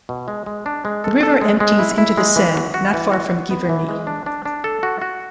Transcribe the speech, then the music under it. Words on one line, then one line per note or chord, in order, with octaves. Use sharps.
The river empties into the Seine not far from Giverny.
B2
G#3
G#3
D4
G#3
A4
A4
G#3
G#3
E4
E4
G#3
E3
F#4
F#4
E3
F#4
F#4
B3
E3
G#3
D4
D4
D4
A4
F#4
F#4